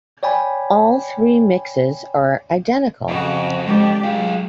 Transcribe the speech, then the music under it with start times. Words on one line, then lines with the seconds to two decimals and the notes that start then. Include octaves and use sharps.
All three mixes are identical.
0.23 C#5 D5 G5 G#5 B5
3.08 F2 C#3 F#4
3.67 G#3 D4 G4
4.04 F#3 F4 G#4